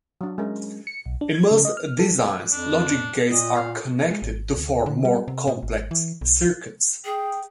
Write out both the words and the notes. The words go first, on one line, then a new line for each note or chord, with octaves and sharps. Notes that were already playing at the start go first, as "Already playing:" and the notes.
In most designs, logic gates are connected to form more complex circuits.
F#3 D4
G#3 C#4 G#4 A#4
C#7
B1
D4
G#6
C#3
D#5
F6
A4
F2 D4
A#2 D#5
F5
G#3
G#1
D2
D3
G3
C3
B2
G#1
E3
B1
G#4 G5